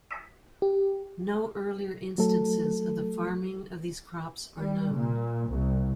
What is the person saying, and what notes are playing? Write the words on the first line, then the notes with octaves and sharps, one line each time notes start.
No earlier instances of the farming of these crops are known.
G4
F#3 A3 A4
G3
A#2
C2